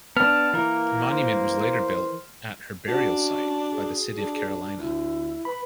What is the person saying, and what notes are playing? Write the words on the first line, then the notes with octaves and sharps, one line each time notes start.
A monument was later built at her burial site by the City of Carolina.
B3 D4 A5 F6
E3 A#3 A#4
C5
C#4 D4 F#4
G#4
D4
D2 E4
B4 B5